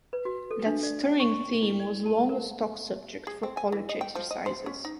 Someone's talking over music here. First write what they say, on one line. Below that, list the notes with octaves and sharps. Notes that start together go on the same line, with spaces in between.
That stirring theme was long a stock subject for College exercises.
B4
F#4
A4
D4
D5
G5
C#6
E4
D5
A5
A#4
G#4
C4
G#5
E3
D#5
G5
F3
D#5
C5
C#4
D#4